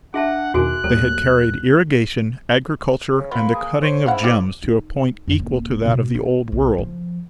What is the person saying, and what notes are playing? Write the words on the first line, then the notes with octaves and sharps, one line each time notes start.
They had carried irrigation, agriculture, and the cutting of gems to a point equal to that of the Old World.
D4 G#4 E5 F#5 A5
E2 B2 D#3 F#4 G#4 G#5 F#6
D#2 F#3 G3 A#3 A4
C#3
F#3 A#3 F4 B4
G#4
C5 C#5
G#2 C#4 E4 F5 F#5
E4 F4 G4 D5
D#4
F#2
D#1
B2
F4
B1
F3